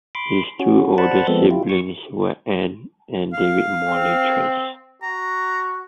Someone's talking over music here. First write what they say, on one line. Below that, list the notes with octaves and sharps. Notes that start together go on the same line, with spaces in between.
His two older siblings were Ann and David Morley Trace.
B5 C6 D6
C#4 F#4
C5 D5 F#5 A5 B5
F3 G#3 B3 C4 A4
E4 F4 G4
C#6
F5
C4
F#4 A#5